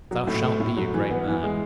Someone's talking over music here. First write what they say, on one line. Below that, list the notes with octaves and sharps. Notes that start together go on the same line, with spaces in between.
Thou shalt be a great man.
F#3
A2
A3
A2
F#3
E3
B3
E3
G#3